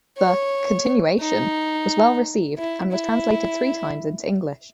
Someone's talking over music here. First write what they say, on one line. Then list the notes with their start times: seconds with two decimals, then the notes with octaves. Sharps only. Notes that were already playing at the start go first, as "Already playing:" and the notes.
The "Continuation" was well received and was translated three times into English.
0.18 C#5
1.20 D#4
2.58 E4
2.92 E4